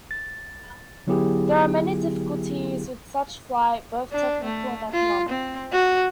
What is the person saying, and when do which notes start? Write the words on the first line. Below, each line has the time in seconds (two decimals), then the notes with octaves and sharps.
There are many difficulties with such flight, both technical and economic.
0.11 A6
1.07 D3 F#3 B3 E4 G4 G#4
4.12 D4
4.44 A3
4.92 F4
5.29 C4
5.72 F#4